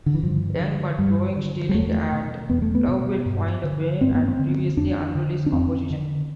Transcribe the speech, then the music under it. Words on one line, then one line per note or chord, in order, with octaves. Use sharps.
"Young But Growing", "Stealing" and "Love Will Find a Way" are previously unreleased compositions.
D3
E3
G2 F3
D3
G2 G3
D3
G3
E2 A3
B2
E2 B3
A3
B3
B2
G2
D3
G2 C4
B3
C4
D3
F2 D4
D3
D4
F2 C4
D3